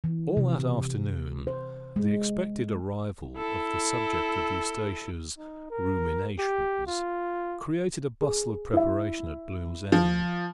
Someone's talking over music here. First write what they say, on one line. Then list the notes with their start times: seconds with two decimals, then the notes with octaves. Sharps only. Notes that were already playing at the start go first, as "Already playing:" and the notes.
All that afternoon the expected arrival of the subject of Eustacia's ruminations created a bustle of preparation at Blooms-End.
0.04 E3
0.37 C3
1.47 C5
1.96 G#3
3.37 E4 A4
5.38 D#4
5.70 A#4
6.39 G4
6.87 F4
8.21 G#4
8.73 E4 E5
9.92 F3